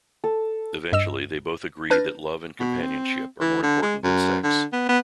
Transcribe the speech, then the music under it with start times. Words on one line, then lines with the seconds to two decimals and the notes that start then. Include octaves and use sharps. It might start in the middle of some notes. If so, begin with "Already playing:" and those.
Eventually they both agree that love and companionship are more important than sex.
0.24 A4
0.92 G2 D#5 E6 E7
1.90 D4 B4 F6 G6 A6 A#6
2.60 B2
2.82 C4
3.41 E3
3.63 D3
3.82 G#3
4.03 F#2
4.44 D3
4.73 B3
4.89 B3